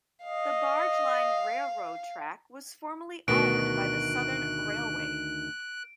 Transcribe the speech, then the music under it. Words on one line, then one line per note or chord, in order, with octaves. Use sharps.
The Barge Line Railroad track was formerly owned by the Southern Railway.
D#5 F5
D2 B2 D#3 F#6 D7